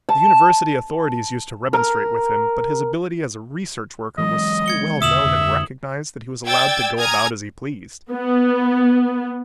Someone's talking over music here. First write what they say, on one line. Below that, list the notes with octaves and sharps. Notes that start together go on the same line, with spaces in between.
The University authorities used to remonstrate with him, but his ability as a research worker was so well known and recognized that he was allowed to go about as he pleased.
A5
A#4
E3 F#3 G#3 D#5
G#6 C#7 G7
E2 D3 E5 D#6 E7 F#7
F2 D3
D5 G5 E6 G#6 A6
G#5 A#5 D#6 F6 G#6
B3